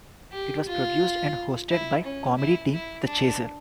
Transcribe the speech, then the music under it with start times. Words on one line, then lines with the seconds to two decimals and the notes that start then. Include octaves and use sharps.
It was produced and hosted by comedy team The Chaser.
0.32 G4
0.67 F4
1.70 E4
2.04 C#4
2.37 E4
2.72 E4
3.06 D4